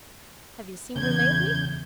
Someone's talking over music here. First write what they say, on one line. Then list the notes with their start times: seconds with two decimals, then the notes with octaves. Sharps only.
"Have you seen her lately?"
0.96 E2 C#3 G6 G#6